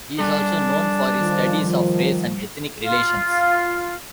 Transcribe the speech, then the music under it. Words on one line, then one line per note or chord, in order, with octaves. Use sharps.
He is also known for his studies of race and ethnic relations.
G3 D4 A4
D#3 F3
F4